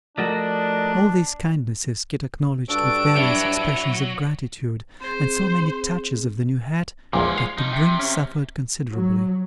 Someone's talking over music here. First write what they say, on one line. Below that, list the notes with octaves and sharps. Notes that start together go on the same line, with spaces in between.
All these kindnesses, Kit acknowledged with various expressions of gratitude, and so many touches of the new hat, that the brim suffered considerably.
F3 A3 D4 F#4 A#4 D5 D#5
G2 D4 F#4 A4 D7
F#3 E4 E5
C4 G#4 C5
A#1 E2 A#2 F3 G#3
F5
F3 D#4
C3
C#4
F#3